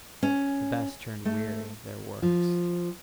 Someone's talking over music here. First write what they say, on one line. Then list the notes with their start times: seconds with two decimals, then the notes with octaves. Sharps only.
The best turned weary of their works.
0.23 C#4
1.25 A3
2.22 F3